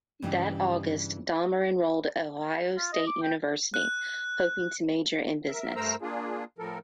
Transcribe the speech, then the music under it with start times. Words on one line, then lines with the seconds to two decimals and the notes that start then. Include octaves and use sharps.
That August, Dahmer enrolled at Ohio State University, hoping to major in business.
0.22 G2 C#3 E3 D#4 G4
2.77 F4
2.93 D#5
3.07 D6
3.22 G5
3.74 F#6
5.48 A#4 E5
5.76 G2 A3 A#4 C5 A#5 E6
6.02 A#3 D4 F4 G#4
6.58 A2 F3 A4 A#4